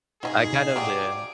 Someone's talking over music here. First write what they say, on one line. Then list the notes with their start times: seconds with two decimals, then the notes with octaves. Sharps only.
I kind of d
0.23 B2 F#3 D#4 F4 G#4 D#5 G#5
0.76 F#3 G4 D5 F5 G#5 D6